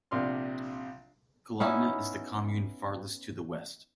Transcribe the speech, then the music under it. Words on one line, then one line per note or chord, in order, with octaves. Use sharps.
Collagna is the commune farthest to the West.
A#1 C3 D4 C6 F6
B3 C#4 D#4 E4